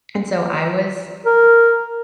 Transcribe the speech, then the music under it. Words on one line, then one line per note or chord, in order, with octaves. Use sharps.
and so I was,
A#4